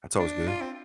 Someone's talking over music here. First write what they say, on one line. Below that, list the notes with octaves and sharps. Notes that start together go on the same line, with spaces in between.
That's always good.
D4
F4
C4